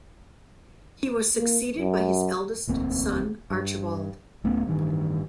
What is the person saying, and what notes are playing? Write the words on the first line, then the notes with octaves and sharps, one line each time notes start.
He was succeeded by his eldest son Archibald.
A#3
F#2
E1 D2 A#3 C4
G2
D1 A3 B3 C#4
A1 G2 D#3